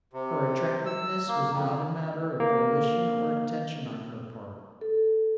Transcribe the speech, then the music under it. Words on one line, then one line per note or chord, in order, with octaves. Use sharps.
Her attractiveness was not a matter of volition or intention on her part.
C3
E6
A#3
F2
A#3
A4